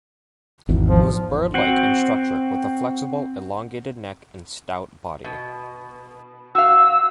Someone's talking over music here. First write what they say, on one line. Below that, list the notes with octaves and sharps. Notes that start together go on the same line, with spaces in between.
It was bird-like in structure, with a flexible, elongated neck and stout body.
G#1 E2
F3
C4 F#4
B2
F#4 F5 E6